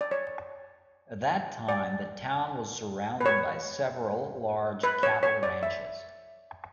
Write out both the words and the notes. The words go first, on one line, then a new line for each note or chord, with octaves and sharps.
At that time the town was surrounded by several large cattle ranches.
D5
C#5
D5
B4
C#5
B4
C#5
C#5
D5
E5